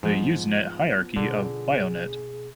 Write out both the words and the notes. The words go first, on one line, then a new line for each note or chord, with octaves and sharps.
The Usenet hierarchy of Bionet.
G#2 F3 B3
B2 D3 G#4